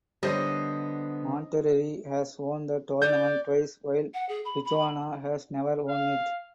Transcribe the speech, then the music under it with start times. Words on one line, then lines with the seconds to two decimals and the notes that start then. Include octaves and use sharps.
Monterrey has won the tournament twice while Tijuana has never won it.
0.23 D3 G3 B3 C5 C#5 D#5
3.02 D5 G6
4.14 F#5
4.29 G#4
4.45 B5
4.65 B5
5.88 F5